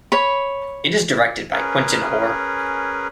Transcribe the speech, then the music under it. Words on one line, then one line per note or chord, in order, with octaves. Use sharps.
It is directed by Quintin Hoare.
C#5 B5
C#4 G#4 A#4 B4